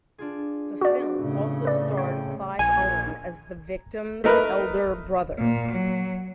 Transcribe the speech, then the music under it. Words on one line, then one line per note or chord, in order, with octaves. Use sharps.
The film also starred Clive Owen as the victim's elder brother.
D4 F4 G#4
B3 C4 D4 F#4 D5
A2 C#3
B4 D5
C5 C#5 G5
A#1 G#5 G#6
A3 D#4 A#4 B4
A#2
F#3